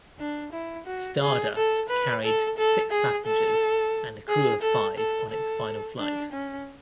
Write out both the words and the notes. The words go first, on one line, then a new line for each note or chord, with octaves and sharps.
"Star Dust" carried six passengers and a crew of five on its final flight.
D4
E4
F#4
G#4
A4
B4
A4
A4
G#4
A4
G#4
A4
A4
A4
D4
C#4